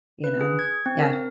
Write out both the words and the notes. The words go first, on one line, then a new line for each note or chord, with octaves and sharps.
you know? Yeah.
B4
G#4
G#6
C4
A#4